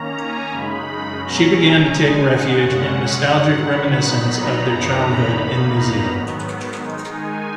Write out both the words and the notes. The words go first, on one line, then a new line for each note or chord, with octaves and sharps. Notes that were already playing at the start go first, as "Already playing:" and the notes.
She began to take refuge in nostalgic reminiscences of their childhood in New Zealand.
Already playing: D#3 A#3 C#4 A#5
G#5
F#2 C#3 G#3 D#4 B5
B2 F#3 C#4 A#5
G#5
D#3 G#3 D#4
F#5
F#2 C#3 G#3 C#4
F#5
G#2 D#3 F#3
B5
A#2 F#3 B3 D#4
A#5
F#2 C#3 E3 B3 D#4
B5
E2 B2 A#3 D#4
A#5
G#2 D#3 F#3 B3
D#3 G#3 D#4
G#5